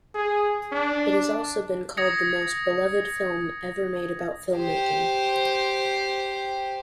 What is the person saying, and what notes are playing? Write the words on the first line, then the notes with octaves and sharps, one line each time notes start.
It has also been called the most beloved film ever made about filmmaking.
G#4
D4
D#6 G#6 A#6 C#7
G4 C5